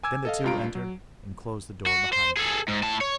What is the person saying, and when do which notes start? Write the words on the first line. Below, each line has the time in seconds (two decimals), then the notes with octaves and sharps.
Then the two entered and closed the door behind them.
0.03 G#5 D6 E6 G#6
0.25 A4 D#5 F5
0.44 C#2 G2 F4 A#5 D7
0.75 F#3
1.86 F#4
2.12 C5
2.37 G#4 A4
2.68 G#2
2.83 A2 A5
3.01 C#5